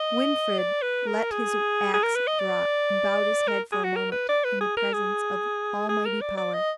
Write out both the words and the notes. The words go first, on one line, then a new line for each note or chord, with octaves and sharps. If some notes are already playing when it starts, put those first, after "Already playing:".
Winfried let his axe drop, and bowed his head for a moment in the presence of almighty power.
Already playing: D#5
D5
B4
A#4
G#4
G#4
A#4
B4
D#5
D5
A#4
G#4
F#4
A#4
B4
D5
B4
G#4
A#4
G#4
G#4
A#4
D5
D5
D#5